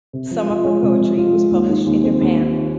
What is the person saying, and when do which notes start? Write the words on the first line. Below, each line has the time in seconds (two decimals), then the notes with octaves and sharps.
Some of her poetry was published in Japan.
0.13 C3
0.31 F3
0.48 F4
0.65 G#3
0.83 C3
1.00 F3
1.17 F4
1.34 G#3
1.51 D#2
1.69 D#3
1.86 D#2
2.04 C4
2.21 D#2
2.38 D#3